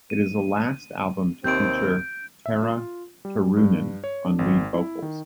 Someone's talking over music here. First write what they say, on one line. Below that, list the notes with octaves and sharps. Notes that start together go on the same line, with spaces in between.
It is the last album to feature Tarja Turunen on lead vocals.
D#7
D#2 C3 C4 G6 D7
E5
F4
G3
G2
C#5
D4
G#1
E4
D#3